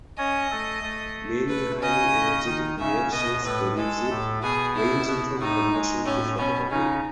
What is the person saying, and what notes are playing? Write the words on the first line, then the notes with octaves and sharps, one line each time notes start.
Many highly energetic reactions produce it, ranging from combustion to photocopying.
C#4 C#5 D#5
A3 A4
A3 A4
B4
C#3 C#4 D#5
D#3 D#4
C#3 C#4 E5
B2 B3 D#5
A2 A3 B4
G#3 A4
A2 A3
B2 B3 G#4
E4
B2 B3
A2 A3 D#4
G#3
A2 A3 C#4
B2 B3 C#4
C#3 C#4 D#4